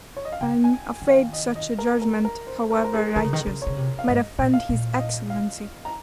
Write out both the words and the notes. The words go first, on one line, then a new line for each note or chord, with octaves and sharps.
'I am afraid such a judgment, however righteous, might offend his excellency.'
C#5
D#5
F5
C#3 G5
G#5
D#3
F5
D#5
D#5
A#4
A#4
A#4
C5
A#4
C5
A#4
G#4
D#3 A#4
C#3
D#3
C#3
C#3 C#5
C3
F5
G#2 D#5
A#2
F5
A#2
F5
D#5
F5
A#5